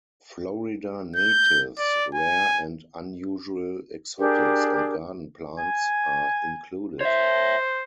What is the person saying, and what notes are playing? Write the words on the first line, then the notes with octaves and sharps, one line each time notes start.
Florida natives, rare and unusual exotics and garden plants are included.
G6
D5
G#5
D4 G4 G#4 A#4
G#5
C5 C#5 E5